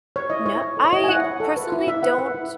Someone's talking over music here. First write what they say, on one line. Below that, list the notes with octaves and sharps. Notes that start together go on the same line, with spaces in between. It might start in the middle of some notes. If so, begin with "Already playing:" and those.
No I personally don't
C#5
E4 D#5
E4 C#5
C#5
A4
C#5
E4 D#5
G#5
E4 F#5
C#5
A4
B4
E4
E4 E5
B4 F#5
B4
E4